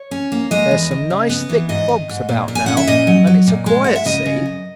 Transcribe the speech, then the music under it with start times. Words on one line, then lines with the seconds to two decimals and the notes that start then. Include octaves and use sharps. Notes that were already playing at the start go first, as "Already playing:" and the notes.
There's some nice thick fogs about now, and it's a quiet sea.
Already playing: C#5
0.11 C#4
0.32 A#3
0.51 G#3 D#5
0.71 E2
0.91 D#3
1.10 C#3
1.29 B3
1.49 E3
1.69 G#2 D#5
1.88 D#3
2.09 G#2
2.29 A#2
2.48 A#2
2.55 G#5
2.66 C#4 F#5
2.77 E5
2.87 A#2 D#5
3.07 F#3
3.27 F#3
3.47 A#2
3.66 G#3
3.84 G#3 F#5
3.95 E5
4.05 C#3 D#5
4.26 C#3
4.46 F#2